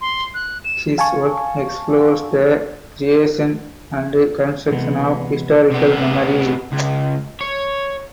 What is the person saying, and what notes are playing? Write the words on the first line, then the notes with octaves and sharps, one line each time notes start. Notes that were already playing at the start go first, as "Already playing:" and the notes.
His work explores the creation and construction of historical memory.
C6
F#6
E7
F5 G#5 A5 C#6
C3 E3 G#3 B3
C3 B3
C#2
C#5